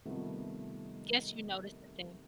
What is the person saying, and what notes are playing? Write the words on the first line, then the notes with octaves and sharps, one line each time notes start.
guess you noticed the
C3 D#3 F3 G3 A3 B3